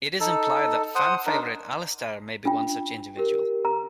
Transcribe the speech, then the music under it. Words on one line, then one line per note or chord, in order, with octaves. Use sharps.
It is implied that fan-favorite Alistair may be one such individual.
D#4 A4
C5 F#5 D#6
D4 D#4 A#4
D4 F4 G5
G4 A#4
A#5